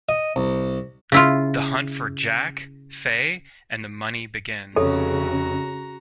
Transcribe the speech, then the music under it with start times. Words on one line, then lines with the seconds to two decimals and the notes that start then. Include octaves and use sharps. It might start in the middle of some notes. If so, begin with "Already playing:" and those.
The hunt for Jack, Fay and the money begins.
0.09 D#5
0.36 C2
1.12 C#3 E4 F4
4.76 F1 C#3 F#4 A4 C#5 A#5